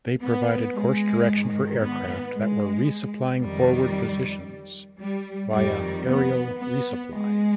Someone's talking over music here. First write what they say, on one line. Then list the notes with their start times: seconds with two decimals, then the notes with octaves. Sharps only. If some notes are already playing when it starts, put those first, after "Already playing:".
They provided course direction for aircraft that were resupplying forward positions via aerial resupply.
0.22 B3
0.76 G#3
1.29 G#2 D#3
1.81 B3
2.34 G#3
3.40 F2 D#3 G3
5.00 G3
5.53 F2 D#3 G3
6.06 B3
6.59 B3
7.12 G#3